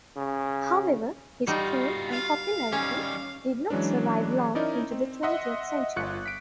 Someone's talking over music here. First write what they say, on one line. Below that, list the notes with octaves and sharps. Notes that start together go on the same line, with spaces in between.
However, his fame and popularity did not survive long into the twentieth century.
C#3
G3 D#4 F4 F#4
F5
D#3 G3 C#4
E3 F#3 G#3 C#4 D4
C#4 D#4 E4 A#4 D5 D#5
C4
D#5 E5 F#5 C6
G1 F4 C#6 F#6 C#7
B6 D7